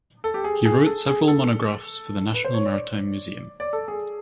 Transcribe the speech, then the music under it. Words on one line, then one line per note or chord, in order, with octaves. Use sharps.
He wrote several monographs for the National Maritime Museum.
A4
G4
G#4
G#4
A4
G#4
A4
B4
C5
C#5
D5
D5
A4
G#4